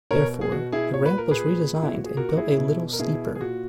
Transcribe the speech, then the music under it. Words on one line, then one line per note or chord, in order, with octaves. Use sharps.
Therefore, the ramp was redesigned and built a little steeper.
B2 A#4 C#5
G#4
B2 F#4
E4 G#4
A#2 C#5
B4
A#4
A#2 G#4 B4
A#2
E4
F#4
G#4
A#2 F#4 A#4
F#4
E4 G#4
B2
A#4
B2 E4 G#4
G#4
A#2 F#4